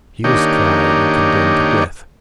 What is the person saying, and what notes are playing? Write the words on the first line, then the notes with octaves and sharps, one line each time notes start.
He was tried and condemned to death.
D#3 A#3 D4 D#4 G4 C#5